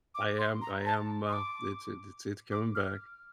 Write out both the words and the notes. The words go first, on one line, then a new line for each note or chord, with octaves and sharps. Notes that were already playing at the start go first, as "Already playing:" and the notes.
I am I am, uh, it's it's it's it's coming back.
D6
C6
A#5
A5
C6
D6
D6
F6